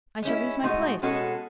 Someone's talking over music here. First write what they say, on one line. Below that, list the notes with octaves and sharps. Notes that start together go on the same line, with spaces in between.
I shall lose my place.
G#3 C#4 E4
A2 G#3 D#4 F#4
B2 G#3 C#4 F#4 A4